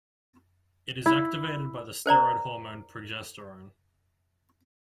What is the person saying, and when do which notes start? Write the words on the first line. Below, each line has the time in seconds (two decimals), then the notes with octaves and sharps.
It is activated by the steroid hormone progesterone.
1.06 E4
2.06 A#4 C5 D5 A#5